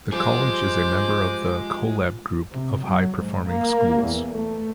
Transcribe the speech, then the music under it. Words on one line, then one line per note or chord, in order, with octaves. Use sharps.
The college is a member of the Collab Group of high performing schools.
F3 G3 G#3 G#4 C5 D6
C3
F#3
G#2
A#3
E2
A3